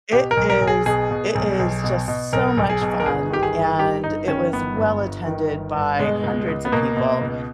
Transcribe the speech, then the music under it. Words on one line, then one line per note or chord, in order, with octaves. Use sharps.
It is it is just so much fun, and it was well attended by hundreds of people.
B2 G4
A#4
B1
A#4
B1
G#4
B2 G#4
B2
B1
B1
B2
B2
B1 A#4
B1
G#4
B2
A#4
G1 G#4
D#3 G4
G#4
G1
G2 G4
G1 D#4
D#3 C#4
G1 B3
G2
G1
D#3
G1
G2
B2 G#3
C#2
C#2
B3
B2 A#3
B2
C#2